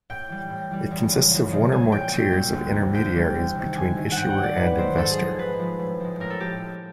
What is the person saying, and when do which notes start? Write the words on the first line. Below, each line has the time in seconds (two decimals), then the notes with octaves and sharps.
It consists of one or more tiers of intermediaries between issuer and investor.
0.10 A2 G5
0.29 E3 G3
0.50 A2
0.71 E3 G3
0.91 E2
1.11 C#3 F3 G#3
1.31 E2
1.52 C#3 F3 G#3
1.72 C2 G#5
1.92 A#2 G3 G5
2.13 C2 G5
2.33 A#2 G3
2.54 D2
2.74 C3 E3 G3
2.94 D2 G5
3.15 C3 E3 G3
3.34 D2
3.56 C3 D#3
3.76 D2 G#5
3.96 C3 D#3
4.12 G#2 F#5 G5
4.30 F#5
4.37 D#3 F#3
4.44 D5
4.57 G#2 B4
4.77 D#3 F#3 C5
4.98 G#2 A4
5.11 G#4
5.18 F3 G#3
5.38 G#2 B4
5.59 F3 G#3
5.79 A2
6.00 F3 G#3
6.20 A2 A#4
6.30 A4
6.40 F3 G#3 G4